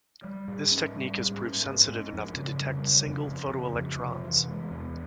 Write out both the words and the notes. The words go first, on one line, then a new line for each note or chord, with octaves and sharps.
This technique has proved sensitive enough to detect single photoelectrons.
G3
G#2
C#4
G3
G#2
C#4
G#2
G#2
F2
C#3
G3
C#3
F2
F2
C#3
F2
C3
E3
G#3
E2